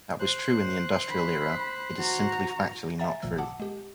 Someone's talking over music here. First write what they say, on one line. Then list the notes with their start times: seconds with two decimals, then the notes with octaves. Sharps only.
That was true in the industrial era; it is simply factually not true.
0.20 C5 F#6
1.09 B5
1.97 F#4 A#5
2.99 E5 F#5 G#5 A#5 A6
3.22 A1 A#2 D3 F3 E6
3.38 F#5 A5 D6 D#6
3.60 G#3 G4